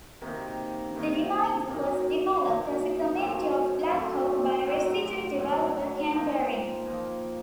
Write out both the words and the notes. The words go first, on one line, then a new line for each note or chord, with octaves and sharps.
The remainder was developed as the community of Blackhawk by resident developer Ken Behring.
C3 D#3 A#3 D#4
C3 D#3 A#3 D#4
F#2 D#3 A#3 D#4
F#2 D#3 A#3 D#4
F#2 C#3 A3 C4
F#2 C#3 A3 C4
A2 F#3 C4
A2 F#3 C4
F3 A#3 D#4
F3 A#3 D#4